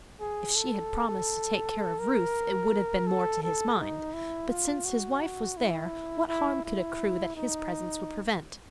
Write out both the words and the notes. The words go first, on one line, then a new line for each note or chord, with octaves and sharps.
If she had promised to take care of Ruth, it would have been more to his mind; but since his wife was there, what harm could accrue that his presence would prevent?
G#4
A4
A#4
A4
A4
D#4
E4
F4
F#4
E4
E4
E4
D#4